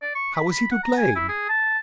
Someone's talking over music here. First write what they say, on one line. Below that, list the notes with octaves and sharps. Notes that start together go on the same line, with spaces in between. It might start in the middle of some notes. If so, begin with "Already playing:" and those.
How was he to blame?
D5
C#6
B5
B5
F#5
A#5
G#5
E4
G#4
A5